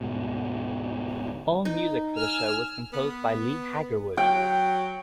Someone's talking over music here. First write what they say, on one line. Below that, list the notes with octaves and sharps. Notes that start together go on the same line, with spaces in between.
All music for the show was composed by Leigh Haggerwood.
D2 G#2 B2
D#4
G#5 E6 F6
B3
F#3 G5